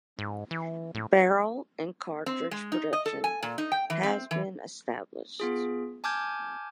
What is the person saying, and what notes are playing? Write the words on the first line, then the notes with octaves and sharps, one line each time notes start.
Barrel and cartridge production has been established.
G#2
E3
A2
C4
G#3
D#4
D#5
A4
G#5
A#2
D#4
G5
E3
C4
E3
B3 F4 G#4
G#5 A5 D6 F6 G6 G#6